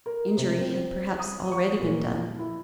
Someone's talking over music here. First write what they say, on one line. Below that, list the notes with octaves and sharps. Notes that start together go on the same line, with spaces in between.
Injury had perhaps already been done.
A#4
C3
C4
D#6
C#6
A#2
E4